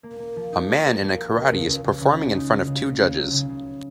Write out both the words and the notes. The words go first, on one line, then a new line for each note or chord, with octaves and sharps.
A man in a karate is performing in front of two judges.
A#3
A#3
F3
D#4
A#3
A#3
F3
A#4
C#2
C#2
C#2
C#2
C#3
G#3
D#4
F#4
C#3
C#3
C#3
F#3
C#3
C#3